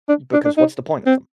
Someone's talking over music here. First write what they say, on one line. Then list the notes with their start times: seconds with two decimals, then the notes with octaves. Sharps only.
Because what's the point of them?
0.09 D4
0.33 D4
0.45 D4
0.57 D#4
1.07 C4